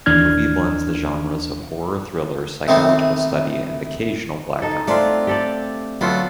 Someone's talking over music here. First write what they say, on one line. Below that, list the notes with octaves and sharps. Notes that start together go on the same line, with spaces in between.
The movie blends the genres of horror, thriller, psychological study, and occasional black comedy.
D#2 E3 D4 F6 G#6
C3 D#3 A3 B3 C4
D#4 A4
A3 C4 D4 F4
G4 A4 D5
D2 F#3 B3 F4 A4